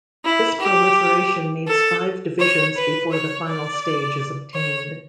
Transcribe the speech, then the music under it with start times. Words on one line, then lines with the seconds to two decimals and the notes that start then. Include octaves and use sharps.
This proliferation needs five divisions before the final stage is obtained.
0.24 E4
0.59 G4
1.67 A4
2.39 C#5
2.76 B4
3.11 C#5
3.47 D5
4.54 C#5